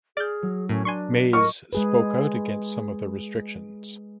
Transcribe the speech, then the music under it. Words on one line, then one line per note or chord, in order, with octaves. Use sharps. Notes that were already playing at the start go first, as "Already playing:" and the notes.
Maes spoke out against some of the restrictions.
G#4 D5 F6 G6
F#3
A2 C#4 A#4
D4 G#5 C6 C#6
A#4 D#5 C#6 F6
G#3 G#4 B4